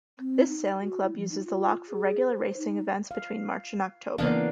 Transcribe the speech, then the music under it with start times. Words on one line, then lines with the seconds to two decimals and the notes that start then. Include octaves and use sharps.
This sailing club uses the loch for regular racing events between March and October.
0.19 C4
0.49 D#4
0.81 F#4
1.02 E4
1.16 F3
1.31 D#4
1.44 F4
1.89 G#4
2.29 C5
2.58 D#4
3.11 F5
4.18 C#3 E3 A#3 B3 D4 F5